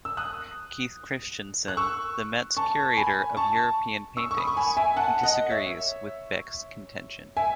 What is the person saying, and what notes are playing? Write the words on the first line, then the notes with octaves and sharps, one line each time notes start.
Keith Christiansen, the Met's curator of European paintings, disagrees with Beck's contention.
E6
D#6 F#6
F#6
C#6 E6
A5 C#6
G#5 B5
A5 C#6
C#6 E6
C#6
B5 D#6
C#6
G#5 B5
E5 G#5
F#5 A5
D#5 F#5
C#5 E5
E5 G#5